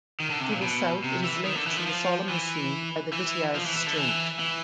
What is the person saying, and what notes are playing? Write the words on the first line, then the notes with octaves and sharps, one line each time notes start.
To the south it is linked to the Solomon Sea by the Vitiaz Strait.
D#3
D3
C3
A#2
B2
C3
E3
D#3
D3
E3
F3
F3
E3
E3
F3
E3
E3
D3
E3
E3